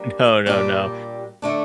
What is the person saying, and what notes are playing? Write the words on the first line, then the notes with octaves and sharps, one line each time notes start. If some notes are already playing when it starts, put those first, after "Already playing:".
no, no, no.
Already playing: G3 A#3 D4
A#2 G3 A#3 D4 G4
D3 A3 D4